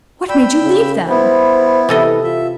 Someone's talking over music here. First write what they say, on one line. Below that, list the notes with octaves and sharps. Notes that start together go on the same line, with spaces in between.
"What made you leave them?"
D5 G5 B5 E6
C#3
B3 E4 C5
C3 E3 A4 D#5
F4 E5